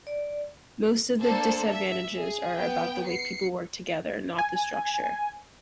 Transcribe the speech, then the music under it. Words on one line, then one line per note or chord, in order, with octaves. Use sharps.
Most of the disadvantages are about the way people work together, not the structure.
D5
A#3 D4 A4 C5
E5
G#4
B3 G5
C7 C#7
G#5